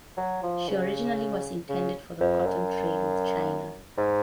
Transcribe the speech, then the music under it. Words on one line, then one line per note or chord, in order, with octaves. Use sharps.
She originally was intended for the cotton trade with China.
F#3
F3
C#3
C#3
F2
F#2
G#2